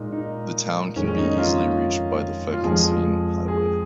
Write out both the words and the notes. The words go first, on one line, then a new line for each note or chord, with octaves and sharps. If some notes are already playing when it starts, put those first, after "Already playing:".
The town can be easily reached by the Phetkasem highway.
Already playing: A#2 G#3 D#4
D#4
F2 D#3 G#3 C#4
C#4
D#4
D#4
F4
F4
F2 F3 G#3 G#4
G#4